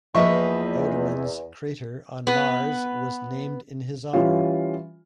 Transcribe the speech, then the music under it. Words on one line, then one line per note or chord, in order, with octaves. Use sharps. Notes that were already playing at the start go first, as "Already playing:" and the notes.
Oudemans crater on Mars was named in his honor.
E2 F3 A#3 B4 D#5 E5 C#6
B3 B4
E3 G3 C#4 F4